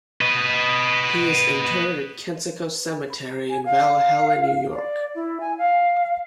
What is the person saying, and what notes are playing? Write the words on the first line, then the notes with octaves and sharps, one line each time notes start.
He is interred at Kensico Cemetery in Valhalla, New York.
B4 D#5
G#5
F5
D5
E4
G#5
F5